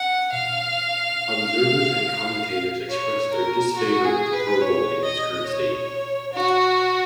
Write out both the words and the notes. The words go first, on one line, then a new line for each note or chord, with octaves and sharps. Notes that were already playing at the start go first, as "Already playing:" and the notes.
Observers and commentators expressed their disfavor with the Pro Bowl in its current state.
Already playing: F#5
F5
C#5
A#4
F#4
G#4
B4
C#5
D#5
C#5
F#4